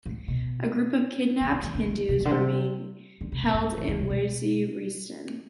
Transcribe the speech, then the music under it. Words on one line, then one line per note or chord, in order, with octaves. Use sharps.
A group of kidnapped Hindus were being held in Waziristan.
A2
B2
D3
D3
E3
D3
D3
B2
B2
D3
C3
D3
C3
B2
A2
E3
D3
C3
B2